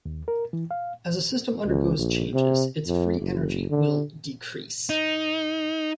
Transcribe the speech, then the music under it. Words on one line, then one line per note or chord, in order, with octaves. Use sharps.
As a system undergoes changes, its free energy will decrease.
D#2
A#4
E3
F5
C#2
A#1
C3
F2
F#1
D3
D#4